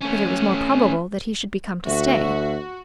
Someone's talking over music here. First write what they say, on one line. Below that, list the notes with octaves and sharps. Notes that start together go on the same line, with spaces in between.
But it was more probable that he should be come to stay.
A3 C#4
D2 F#4 E5